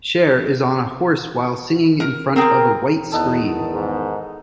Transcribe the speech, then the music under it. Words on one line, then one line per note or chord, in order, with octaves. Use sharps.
Cher is on a horse while singing in front of a white screen.
A#4
C4 G#4 A#4 G5
E2 D#3 B3 D#4 A4
G#2